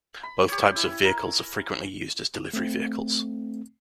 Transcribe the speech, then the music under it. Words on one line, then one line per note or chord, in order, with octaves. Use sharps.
Both types of vehicles are frequently used as delivery vehicles.
B5
G4 C#5
E4 G#5
A#4
A3 C4